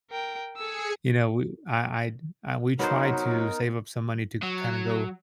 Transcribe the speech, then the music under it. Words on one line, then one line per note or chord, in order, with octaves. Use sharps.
you know, we I I d I we try to save up some money to k kinda go
A#4 G5
G#4 A4 G#5 E6 C#7
F#3 B3 D#4 A#4 C5
F#3